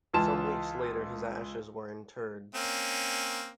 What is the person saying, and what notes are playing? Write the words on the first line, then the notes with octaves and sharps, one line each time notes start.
Some weeks later his ashes were interred.
C#2 E3 F4 A5 E7
A#3 C4 C#4